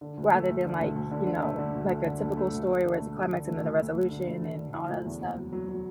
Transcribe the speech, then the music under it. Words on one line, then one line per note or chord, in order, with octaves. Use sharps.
rather than, like, you know, like a typical story where it's a climax and then a resolution and all that stuff.
D3
D2
A3
D2
D3
D2
D2
D3
D3
A3
D3
D2
D2
D3
D2
A3
D2
A3
D3
A3
D2
D3
A3
D2
A3
A3
D3
D2
D3
D3
E4
D2
E2
F#1
F#3
F#3
F#3